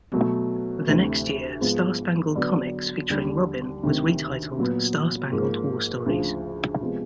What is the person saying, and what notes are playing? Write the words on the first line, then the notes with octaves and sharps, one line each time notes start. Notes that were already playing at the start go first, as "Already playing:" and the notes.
The next year "Star Spangled Comics", featuring Robin, was retitled "Star Spangled War Stories".
B2 F#3 A3
D2 C3 E3 A3
G#2 F3 G#3 B3
D3 F#3 B3 D4
D#2 D3 G3
D2 C3 D#3
A#2 F#3 B3
G#2 F3 A#3
D2 C#3 F3
C3 F3 G#3 B3